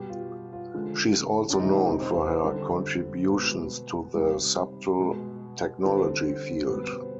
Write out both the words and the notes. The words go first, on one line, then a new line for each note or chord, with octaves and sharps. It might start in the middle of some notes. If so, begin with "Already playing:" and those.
She is also known for her contributions to the subtle technology field.
Already playing: B2 G3 G4
F4
F4
D3 F3 G#3
D4
C3 D#3 G#3 D#4
C4
D3 G3
B2 G#3 B3
C3 D#3 G3
B2 G#3
D3 G3 C4
C4
B2 G3 B3
C4